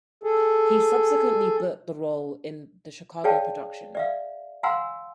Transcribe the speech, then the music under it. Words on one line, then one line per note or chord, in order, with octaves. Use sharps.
He subsequently booked the role in the Chicago production.
G#4 A4
G#4 C#5 D5 F5 G5 A5
D5 E5 F5
F5 F#5 G#5 A#5 C6 E6